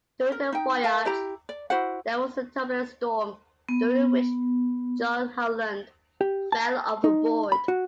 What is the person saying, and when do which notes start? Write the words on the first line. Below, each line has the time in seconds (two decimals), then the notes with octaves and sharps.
During the voyage there was a turbulent storm during which John Howland fell overboard.
0.32 A#4
0.52 D#4 G5
0.84 A#4 F5 A5
1.05 E4 G4 A#5
1.49 D5
1.70 E4 F#4 C5 F#5
3.69 B3
6.21 G4
6.52 A5
7.04 D#4
7.52 B5
7.68 F#4